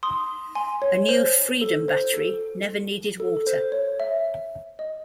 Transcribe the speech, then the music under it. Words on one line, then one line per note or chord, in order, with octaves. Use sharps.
A new Freedom battery never needed water.
C6 D#6
G#5 C6
C#5
C5
A4
C5
A4
A4
A4
C5
C#5
E5
D#5